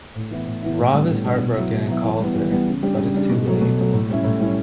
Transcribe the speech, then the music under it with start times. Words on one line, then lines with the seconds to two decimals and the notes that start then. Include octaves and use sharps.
Rob is heartbroken and calls her, but it's too late.
0.15 A2
0.31 E3 B3 E4
0.47 A2
0.63 E3 B3 E4
0.78 A2
0.94 G3 B3 D4
1.10 A2
1.26 G3 B3 D4
1.41 B2
1.57 F#3 B3 E4
1.72 B2
1.88 F#3 B3 E4
2.04 E3
2.20 G3 B3
2.36 E3
2.51 G3 B3
2.67 C#3
2.83 G3 D4 G4
2.98 C#3
3.14 G3 D4 G4
3.30 B2
3.46 F#3 A3
3.61 B2
3.77 F#3 A3
3.93 A2
4.09 G3 C#4 E4
4.24 A2
4.40 G3 C#4 E4